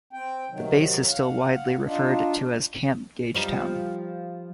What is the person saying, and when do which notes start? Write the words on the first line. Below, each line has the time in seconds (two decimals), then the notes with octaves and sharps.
The base is still widely referred to as Camp Gagetown.
0.13 C4 G5
0.50 C3 D#3 F#3
1.08 F5 F#5
1.84 D4 D#4 F4
3.34 F3 G3 D#4